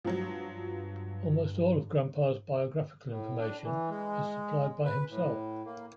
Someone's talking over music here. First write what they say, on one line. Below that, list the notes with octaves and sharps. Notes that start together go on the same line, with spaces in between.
Almost all of Grampa's biographical information is supplied by himself.
G2 F3 F#3
A2
D4
E3
G#3
B4
A2
A#3